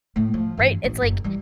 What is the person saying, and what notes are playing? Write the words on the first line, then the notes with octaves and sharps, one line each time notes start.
Right, it's like,
A2 A3
F3
G2 E3
A1 E3
F#1
E3 G3